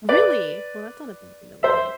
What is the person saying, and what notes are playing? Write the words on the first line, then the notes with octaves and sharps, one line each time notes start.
Really? Well, that's not a bad thing to look like.
B4 D5
C5 E5